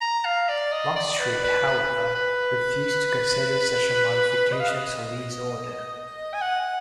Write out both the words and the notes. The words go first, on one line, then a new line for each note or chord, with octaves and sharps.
Longstreet, however, refused to consider such a modification to Lee's order.
A#5
F5
D5
D#5
D5
B4
B4
B4
B4
D#5
F5
D#5
G#5
F#5